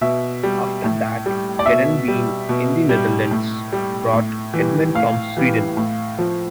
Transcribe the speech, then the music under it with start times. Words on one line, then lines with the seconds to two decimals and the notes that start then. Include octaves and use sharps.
After that, Heerenveen in the Netherlands brought Edman from Sweden.
0.01 B2 E5
0.43 G3
0.84 A2
1.26 G3
1.59 D5
1.66 B2 E5
2.08 G3
2.49 B2
2.89 G3
3.31 A2
3.73 G3
4.13 A2
4.54 E3
4.59 G3
4.95 A2 F5
5.37 E3 G3
5.77 A2
6.19 F3